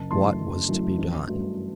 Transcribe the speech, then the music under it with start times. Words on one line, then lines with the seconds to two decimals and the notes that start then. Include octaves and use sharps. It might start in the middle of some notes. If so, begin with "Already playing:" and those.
What was to be done?
Already playing: F#1 A5
0.11 F#2 E3 A3 A5 C6
0.39 F#1
0.69 F#2 E3 A3
0.98 A1
1.27 G2 F#3 A3